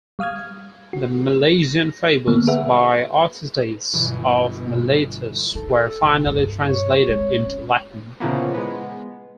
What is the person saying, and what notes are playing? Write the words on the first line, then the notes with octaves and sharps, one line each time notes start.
The "Milesian Fables" by Aristides of Miletus were finally translated into Latin.
G3 F5 D#6 F6 G#6
F#4
A#6
D3 G3 A#3 B3
G#4 B4 E5 F#5
G1 B2 E3
D#4 A4
F1
G2
C#5
G#3 C4
C#4
A#2 C#3 E3 F3 A#3 B3
G#3 B3